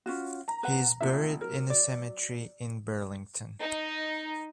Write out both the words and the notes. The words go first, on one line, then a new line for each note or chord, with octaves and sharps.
He is buried in a cemetery in Burlington.
C#4 F4 F#4
A#5
B4 F#5
F1 A#2 E5 E6
F#3 A#4
D5
D#4